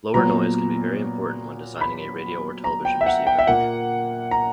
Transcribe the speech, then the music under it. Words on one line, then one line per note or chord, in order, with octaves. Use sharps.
Lower noise can be very important when designing a radio or television receiver.
A#2 F#3 B3 A#5
B5
A#5
G5
E5
F#5
G5
E5
A#2 A#3 F#5
A#5